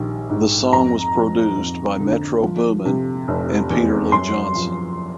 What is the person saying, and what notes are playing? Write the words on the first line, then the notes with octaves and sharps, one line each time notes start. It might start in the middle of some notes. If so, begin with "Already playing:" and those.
The song was produced by Metro Boomin and Peter Lee Johnson.
Already playing: A#1 D#3 G3
G#2
F2 A#5
F3
F2
D3
F3
C3
F1
E2
F#2 C6
F3